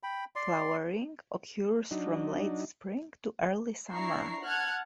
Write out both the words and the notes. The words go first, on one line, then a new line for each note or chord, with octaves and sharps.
Flowering occurs from late spring to early summer.
G5 B5
D5 C6
F#3 D4 D#4
D4 E4 A#5 C#6 C7
F#5 A5 F6 F#6 G#6